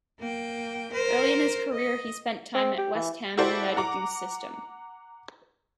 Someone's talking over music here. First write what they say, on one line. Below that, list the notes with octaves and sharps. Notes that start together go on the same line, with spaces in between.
Early in his career he spent time at West Ham United's youth system.
A#3 G5
A#4 C5
D#5
C4
G4
E3
E4 F#4 G4 A4 C5 D5
F#5 A#5 D6